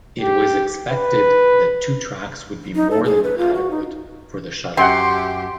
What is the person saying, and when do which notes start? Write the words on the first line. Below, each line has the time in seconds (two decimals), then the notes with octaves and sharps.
It was expected that two tracks would be more than adequate for the shuttle.
0.21 G4
0.90 B4
2.75 D#4
2.91 A4
3.04 G#4
3.24 B4
3.38 F4
3.55 F#4
3.71 D#4
4.77 F#2 G4 F#5 G5 C6